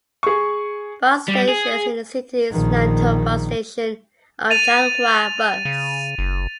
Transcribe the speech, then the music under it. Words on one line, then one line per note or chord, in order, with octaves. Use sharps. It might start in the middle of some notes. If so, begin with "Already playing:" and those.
Bus stations in the city is Nantou Bus Station of Changhua Bus.
G#4 C#6
G3
G#4
A#1 D#3
A6 D#7 F7
C#3
F#1